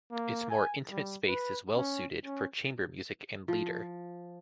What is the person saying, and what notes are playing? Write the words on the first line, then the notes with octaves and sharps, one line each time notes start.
Its more intimate space is well-suited for chamber music and Lieder.
A#3
G#5
G3
B4
C#4
C#4
F3